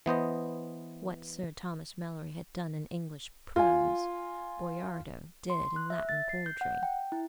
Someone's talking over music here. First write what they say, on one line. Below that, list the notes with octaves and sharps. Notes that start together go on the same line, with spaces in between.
What Sir Thomas Malory had done in English prose, Boiardo did in Latin poetry.
E3 B3 C5 D#5
F4 G#5
C6
F#6
E5
A6
C7
G6
F#5
G5
E4